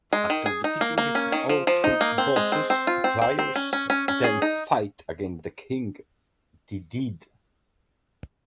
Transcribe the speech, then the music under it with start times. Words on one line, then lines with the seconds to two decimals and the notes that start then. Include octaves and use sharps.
After defeating all three bosses, players then fight against King Dedede.
0.13 G#3
0.30 D#3
0.46 G#4
0.64 D#4
0.81 A#3
0.98 A#3
1.15 C#4
1.32 D#3
1.49 F3
1.67 F3
1.84 D#4
2.01 A#3
2.18 C4
2.36 G#3
2.52 C4
2.70 C4
2.87 F4
3.04 C4
3.22 C4
3.39 C4
3.56 C#4
3.73 C#4
3.90 C#4
4.08 C#4
4.24 G#4
4.42 D#4